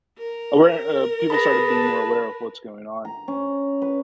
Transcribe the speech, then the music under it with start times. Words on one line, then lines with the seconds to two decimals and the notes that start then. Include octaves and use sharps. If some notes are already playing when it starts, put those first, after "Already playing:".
aware uh, people started being more aware of what's going on.
0.18 A#4
1.30 G#4 B4 A5 B5 A#6
3.05 A#5
3.28 C#4
3.82 B4